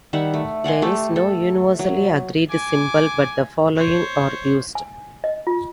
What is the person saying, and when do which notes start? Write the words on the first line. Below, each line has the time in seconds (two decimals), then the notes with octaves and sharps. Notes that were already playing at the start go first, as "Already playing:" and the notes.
There is no universally agreed symbol but the following are used.
0.13 D#3 G3 E5 F#5
0.34 A3
0.64 D5 F#5 G#5 C6
0.82 A3 G4
1.16 A4
1.79 F#3
2.51 G#5 D6
3.76 C5 C#5
4.75 G#5
5.24 D#5
5.47 F4